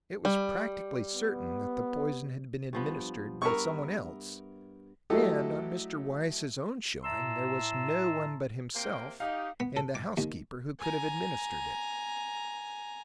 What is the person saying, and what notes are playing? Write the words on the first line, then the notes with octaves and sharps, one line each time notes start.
It was practically certain that the poison had been administered by someone else, and, on Mr. Weiss's own showing, there was no one but himself and the housekeeper who could have administered it.
G3
B3
G2 F3 B3
G2 B3 A#4 E5 C#6
F#3 A3 E4 G4 A4 D#5
A2 E5 A5 A#5 C6 E6
C3 A#3 G5
D#4 G4 F5
B3
A4
D6
D#2
G#5 A#5